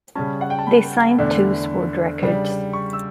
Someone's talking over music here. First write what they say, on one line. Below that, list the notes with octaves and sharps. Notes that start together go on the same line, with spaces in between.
They signed to Sword Records.
C#3 G3 C#4 A5
F#5
G5
A5
B5
E2 D3 A3 D4
C#3 G3 D4
C#6
E6